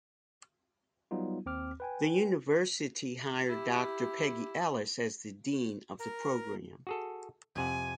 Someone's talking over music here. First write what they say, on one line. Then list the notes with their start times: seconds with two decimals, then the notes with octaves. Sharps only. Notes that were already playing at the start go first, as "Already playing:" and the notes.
The university hired Doctor Peggy Ellis as the dean of the program.
1.11 F#3 G3 B3 D#4 F4
1.46 D#2 C4 D6 F6
1.80 B4 G5 G#5
3.48 E4 G4
5.99 A#4
6.87 F#4 G#4 A4
7.56 F2 C3 F#5 G#5